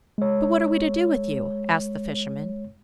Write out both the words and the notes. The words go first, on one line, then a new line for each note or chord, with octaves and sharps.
'But what are we to do with you?' asked the fisherman.
G#3 C#5